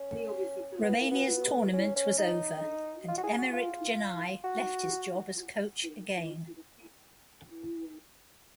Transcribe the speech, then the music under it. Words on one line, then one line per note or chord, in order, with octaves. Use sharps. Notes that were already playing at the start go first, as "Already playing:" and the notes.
Romania's tournament was over and Emerich Jenei left his job as coach again.
Already playing: C#4
B3
A#3
B3
C#4
C#4
D#4
F4
F#4
G#4
F#4
F4
F#4